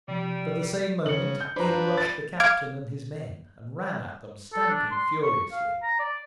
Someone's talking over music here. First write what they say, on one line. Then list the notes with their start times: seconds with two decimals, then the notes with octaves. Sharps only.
But the same moment in rushed the captain and his men, and ran at them stamping furiously.
0.08 C3 F3 G3
1.06 C#3 C#7 F#7
1.41 G6
1.56 D4 B4 C5 A#5
1.70 F4
1.97 A6
2.40 F5 D6 F6 G#6
4.53 A4
4.69 D4
4.91 C6
5.23 C#6
5.52 F5
5.83 A#5
6.00 D5